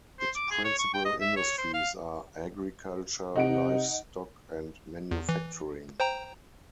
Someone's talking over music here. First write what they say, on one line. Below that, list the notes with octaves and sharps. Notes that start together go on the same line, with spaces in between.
Its principal industries are agriculture, livestock, and manufacturing.
C5
D6
G#4
C#5
C#6
G5
D#5
E5
C#5
C5
F5
C3 D#4 F#5 D7
E2
E3
C5 G5 A#5